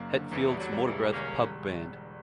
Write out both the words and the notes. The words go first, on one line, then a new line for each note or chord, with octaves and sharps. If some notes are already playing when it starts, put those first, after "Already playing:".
Hetfield's Motorbreath Pub Band.
Already playing: F#1 F#2 A#3 C#4
D3
E2 C#3 E3
G3
D3 F#3
G3
C#3 E3
E1
G1 A#3 C#4